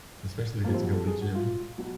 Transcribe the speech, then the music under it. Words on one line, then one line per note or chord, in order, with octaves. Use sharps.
Especially to get to go to the gym.
F2 C3 F3 A#3
C4
F#4
A4
G#4
F#4
F4
B2 F#3